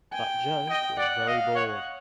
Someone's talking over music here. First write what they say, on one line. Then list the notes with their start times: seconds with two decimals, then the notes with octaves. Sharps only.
But Joe was very bored.
0.12 G5 G#5
0.69 D#5 G5
0.98 D5 F#5
1.27 D#5 F5
1.55 C#5 F#5